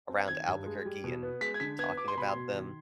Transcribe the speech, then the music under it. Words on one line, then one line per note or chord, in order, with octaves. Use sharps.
around Albuquerque and talking about them.
C4
D#3 G#6
G2
G#3
G3
B2
B3
G#3 B6
G#6
D3 B6
B3 G#6
B3 D6
C6
B2 B5
C6
B2
D#3